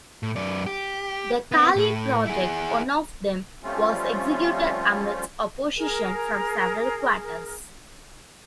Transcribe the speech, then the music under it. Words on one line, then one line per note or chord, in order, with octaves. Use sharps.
The Kali project, one of them, was executed amidst opposition from several quarters.
A2
F#2 D5
G4
B3 C4
A2
E4 G#4
F3 G3 A3 C4 C#4 F4
G#4 A#4